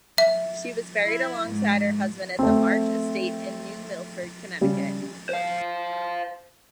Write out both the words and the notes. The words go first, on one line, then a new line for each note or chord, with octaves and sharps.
She was buried alongside her husband at the March Estate in New Milford, Connecticut.
E5
E4
G#2
A3 C4
C#3 G3
C5 F5